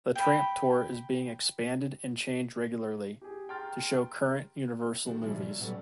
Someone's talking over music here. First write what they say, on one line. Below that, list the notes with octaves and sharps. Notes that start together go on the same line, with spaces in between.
The tramp tour is being expanded and changed regularly, to show current Universal movies.
G5 B5
G4 G#4
G5 A#5 C6 F6 A6
D#3 A3 F#4 A#4
F#2 A#2 C#3 F3 G3
C#4
B2 F#3 G3 A3 C#4